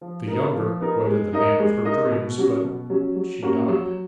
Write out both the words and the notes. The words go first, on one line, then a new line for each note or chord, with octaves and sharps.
The younger wedded the man of her dreams, but she died.
F3
B3 D#4 A#4
F3
B3 D#4 A#4
G#3
D#4 A#4 D#5
G#3
D#4 A#4 D#5
B2
F#3 C#4 F#4
B2
F#3 C#4 F#4
F#3
A#3 C#4 F#4
F#3